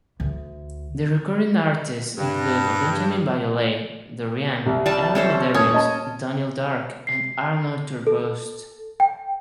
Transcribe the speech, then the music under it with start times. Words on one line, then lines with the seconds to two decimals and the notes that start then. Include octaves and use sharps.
The recording artists include Benjamin Biolay, Doriand, Elli Medeiros, Daniel Darc, and Arnold Turboust.
0.20 D2
2.18 G2
4.66 C2
4.86 G3 A5
5.15 C#4 A4 C5
5.54 D#1 C#4 D#6 G#6
5.74 D#5 A5
7.07 C7
8.07 A4
9.00 G5